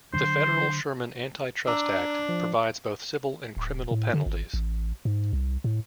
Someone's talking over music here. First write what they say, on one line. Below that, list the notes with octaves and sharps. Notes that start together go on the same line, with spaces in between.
The federal Sherman Antitrust Act provides both civil and criminal penalties.
D3 F#3 D4 C5
D4 A#5 D6 E6
F3
D1
A2
D3
G#1
A1
G#2
C2
A2